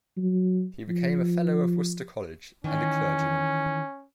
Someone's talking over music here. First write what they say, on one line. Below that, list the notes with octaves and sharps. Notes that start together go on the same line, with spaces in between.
He became a Fellow of Worcester College and a clergyman.
F#3
F3
D#3 E3 C#4